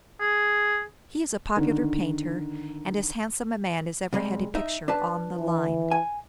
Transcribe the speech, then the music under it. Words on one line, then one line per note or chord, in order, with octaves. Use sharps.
He is a popular painter, and as handsome a man as ever had a picture "on the line."
G#4
D3 D#3
C3 G3 G#3
D#4 E5
D4 B4 A5
E3
G#5